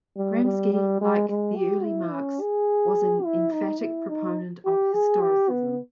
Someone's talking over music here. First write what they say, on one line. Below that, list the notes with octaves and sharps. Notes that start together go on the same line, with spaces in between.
Gramsci, like the early Marx, was an emphatic proponent of historicism.
G3
G3
G3
G#3
G#3
G4
E4
C#4
G#4
E4
D#4
E4
D#4
G4
G#4
G4
B3